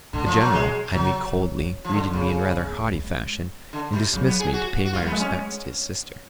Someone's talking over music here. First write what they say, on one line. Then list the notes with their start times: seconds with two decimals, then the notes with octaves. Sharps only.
The General eyed me coldly, greeted me in rather haughty fashion, and dismissed me to pay my respects to his sister.
0.13 A2 D3
0.26 F3
0.40 F#3
0.53 B2 G#3
0.93 C#3 F#3
1.34 F3
1.59 C#4
1.85 F3
1.93 D3
2.13 C#3 B3
2.53 C#4
2.67 B3
2.80 G#3
2.93 G#3
3.73 D3
3.93 B2
4.13 C#3 F#3
4.26 B3
4.40 G#4
4.53 F#4
4.85 F#4
4.93 G#3 F4
5.02 F#3 A3 B3
5.12 G#3
5.20 C#4